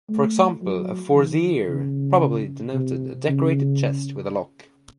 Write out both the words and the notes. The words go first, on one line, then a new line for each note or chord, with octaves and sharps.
For example, a "forziere" probably denoted a decorated chest with a lock.
A3
F#3
D#3
C#3
C3
C#3